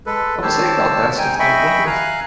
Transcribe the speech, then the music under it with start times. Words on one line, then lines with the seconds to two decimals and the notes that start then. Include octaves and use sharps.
I will say about that stuff though, one of the it's
0.06 G#3 A4 B4
0.42 D#3 G4 C5 C#5 A5 E6
1.18 G#2 D#4 G5 G#5
1.39 D#5 E5 G5 G#5 B5 C#6
1.87 F5 G#5 A#5 F#6